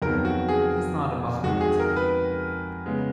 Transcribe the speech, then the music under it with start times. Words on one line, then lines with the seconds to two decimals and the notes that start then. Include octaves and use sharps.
He's not above it.
0.02 F2 D#3 F#3 B3 A#4
0.25 F#4
0.48 G#4
1.43 F2 D#3 G#3 F#4
1.61 G#4
1.79 A#4
1.96 B4
2.85 C#3 G#3 B3